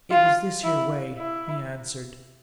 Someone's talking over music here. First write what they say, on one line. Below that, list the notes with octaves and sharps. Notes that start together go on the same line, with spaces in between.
"It was this here way," he answered.
F4
E4
E4